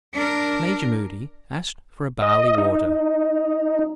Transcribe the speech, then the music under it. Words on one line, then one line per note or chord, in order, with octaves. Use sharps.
Major Moody asked for barley-water.
D4 A#4
D#5
D#4